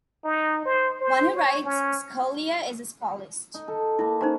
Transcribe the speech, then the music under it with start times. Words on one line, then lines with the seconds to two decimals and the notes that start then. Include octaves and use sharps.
One who writes scholia is a scholiast.
0.24 D#4
0.66 C5
1.01 C5
1.35 C#5
1.64 C#4
3.54 D#4
3.68 A4
3.99 A#3 E4 B4 A5
4.21 C#4 D#4 C5 A#5